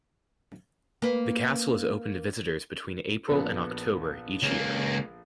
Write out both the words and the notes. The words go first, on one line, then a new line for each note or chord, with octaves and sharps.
The castle is open to visitors between April and October each year.
A#3 B4
A#1 B3 A4
C#2 A#3